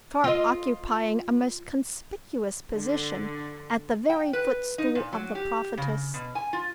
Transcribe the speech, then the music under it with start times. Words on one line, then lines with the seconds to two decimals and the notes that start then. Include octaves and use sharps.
Sharp occupying a most conspicuous position at the very footstool of the Prophetess.
0.24 F4 D#5
2.72 D3
4.10 G5
4.33 B4
4.78 D#4
4.95 A#2
5.13 F#3
5.35 G4
5.77 C#3
6.14 B2
6.35 G#5
6.53 F4